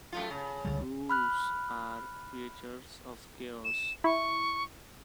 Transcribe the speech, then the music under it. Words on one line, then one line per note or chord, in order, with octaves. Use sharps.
Broos are creatures of chaos.
F#2 A3 F4
C#3
C#2 D3 G3
B5 F6 F#6
E7
E4 C#6